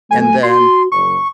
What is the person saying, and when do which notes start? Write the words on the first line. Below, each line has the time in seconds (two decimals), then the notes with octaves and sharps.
and then
0.11 F#2 A3 G#5
0.43 F#4 C6
0.92 F#1 C#6